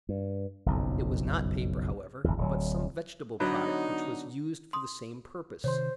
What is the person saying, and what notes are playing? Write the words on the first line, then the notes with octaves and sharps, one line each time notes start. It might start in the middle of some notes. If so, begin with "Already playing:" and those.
It was not paper, however, but some vegetable product which was used for the same purpose.
G2
F#1 B1 F2
G1 E2
D1 F#3
D3 F#3 B3 D#4
C6 D#6
C3 D#3 C5 C#5 C6